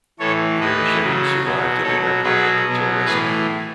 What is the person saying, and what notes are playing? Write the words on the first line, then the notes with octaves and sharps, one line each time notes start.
Varischetti survived in an air pocket until rescued.
A2 E3 A4 C#5
A2 E3 B4 D#5
C#3 F#3
B2 F#3
B2 F#3 A4 C#5
B2 F#3 G#4 B4
B2 F#3
A2 E3 G#4 B4